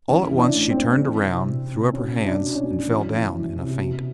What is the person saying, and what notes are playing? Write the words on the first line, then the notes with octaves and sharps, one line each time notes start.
All at once she turned round, threw up her hands, and fell down in a faint.
E3 C#4
E3
D4
A2
C4
A2
E3
C3
C3
C3
B2 C#4
B2
D4
B2
C#4
B2
E3
E3
E3
C3
B2